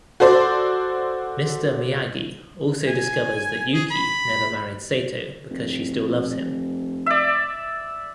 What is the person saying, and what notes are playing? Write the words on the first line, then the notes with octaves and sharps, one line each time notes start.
Mister Miyagi also discovers that Yukie never married Sato because she still loves him.
F#4 A4 C5 D5 C6
G#5
G#4
B5
F1
D5 E5